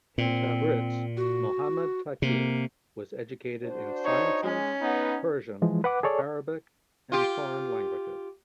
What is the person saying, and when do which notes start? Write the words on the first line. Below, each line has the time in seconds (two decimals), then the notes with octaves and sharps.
In Tabriz Mohammad Taqi was educated in sciences, Persian, Arabic and foreign languages.
0.18 A#2 C4
1.17 F#4
2.22 C3 A#3
3.65 D4 F#4 C5
4.05 D#4 C#5
4.43 G#3 C#4
4.81 B3 D#4
5.62 E3 F3 G#3
5.84 B4 F#5 D6
6.03 G#4 A4 C#5 D5
7.12 F4 G4